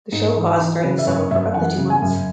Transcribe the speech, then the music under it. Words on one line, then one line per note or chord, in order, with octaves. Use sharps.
The show paused during the summer for up to two months.
G#2 G#4
E3
E3
C#3 B4
E5
F#2 C#5
F#2 E5
E3 F#5
C#3
G#5
F#2